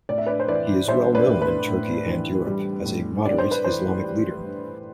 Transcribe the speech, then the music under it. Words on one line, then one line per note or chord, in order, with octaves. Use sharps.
He is well known in Turkey and Europe as a moderate Islamic leader.
A2 D5
E5
B4 D5
C5
E3 B4 D5
G3 C5 E5
B4 D5
A2
B4
A2
E3
G3
A2
G2 D5
C5
B4
E3 C5
G3
G2